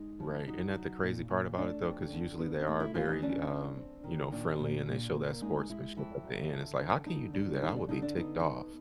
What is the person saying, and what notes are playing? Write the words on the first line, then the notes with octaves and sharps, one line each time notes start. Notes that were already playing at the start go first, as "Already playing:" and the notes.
Right, ain't that the crazy part about it, though? 'Cause usually they are very, um, you know, friendly, and they show that sportsmanship at the end, it's like, "How can you do that?" I would be ticked off.
Already playing: G#3 D#4
F3
F#3 D#4
F#3
A#2
A#2
A3 D4
F2
D3
B3
D4
A3 D#4
E4
E3 F4
D#4
C#4 D4
C#4
C4
D#3
A#2 D4
A#2
A#2
A#3
G#3 D#4
G#3 E4
F2 E4
F#3
D3
D3
D3 D#4
G3 D4
D3 D#4
D4
D3 D#4
D4
B3 D#4
B3